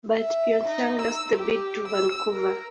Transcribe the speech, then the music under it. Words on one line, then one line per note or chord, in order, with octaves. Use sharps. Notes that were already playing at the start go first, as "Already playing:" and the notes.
But Pyeongchang lost the bid to Vancouver.
E5
D#4
E6
G4
E6
A#4